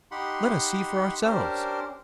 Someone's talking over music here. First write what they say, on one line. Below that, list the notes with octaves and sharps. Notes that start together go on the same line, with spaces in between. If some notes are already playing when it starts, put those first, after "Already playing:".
"Let us see for ourselves."
D#4 G4 F#5 B5 C6
C#4 D4 G4 A#4 C5